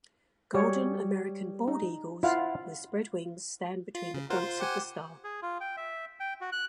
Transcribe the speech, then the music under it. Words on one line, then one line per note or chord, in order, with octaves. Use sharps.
Golden American bald eagles with spread wings stand between the points of the star.
G3 F#4 G#4 C#5
D#4
E4 F4 F5 F#5
F4
C#3
F4 A#4 C5 F#5 F6
C6
G4 C5 F#5 G#5
G#4
F4
G5
E5
G5
F#4
F#6